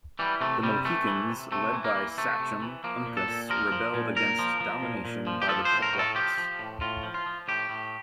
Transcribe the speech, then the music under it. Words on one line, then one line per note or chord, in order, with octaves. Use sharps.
The Mohegans led by "sachem" Uncas rebelled against domination by the Pequots.
E3 G3
C3 A3
C3 G3
E3 A3
E3
C3
C3 A3
E3
A#3
E3
C3 A3
C3
E3
F3 A#3
A#2
A4
A#2
F3 A#4
F3
A#2
A#2 A#4
F3
F3
A#2
A#2
F3
G4
F3 A4
C5
A2
A#4
A2
A4
F3 G4
F3
A2
A2 F4
F3
F4
F3
A2 G4
A2